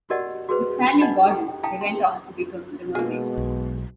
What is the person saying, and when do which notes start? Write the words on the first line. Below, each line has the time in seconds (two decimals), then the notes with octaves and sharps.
With Sally Gordon, they went on to become The Murmaids.
0.10 F#4 G4 A#4 D5 D#5 F#5
0.49 F#4 G#4 B4 C5
1.01 D4 D#4 D#5 F#5 B5
1.28 G4 A4 G5 A#5 D#6
1.63 E4 F5 G5 A5 A#5 D#6
1.81 C6
2.95 B2 G#3 A#3 G#4
3.37 B1